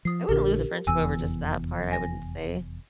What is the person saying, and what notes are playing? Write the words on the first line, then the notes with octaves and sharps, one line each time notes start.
I wouldn't lose a friendship over just that part, I wouldn't say.
F3 D#6 C7
A#1 D3 G4 A#4
F1 E2 G#5 E6
G#5 A#6